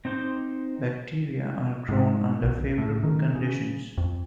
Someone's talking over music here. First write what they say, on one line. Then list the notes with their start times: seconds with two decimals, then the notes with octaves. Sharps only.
Bacteria are grown under favourable conditions.
0.05 C4 D#4 C5 C6 D6
1.89 G#2
2.43 B1
2.78 A2
3.03 D#3
3.35 C#3
3.98 F2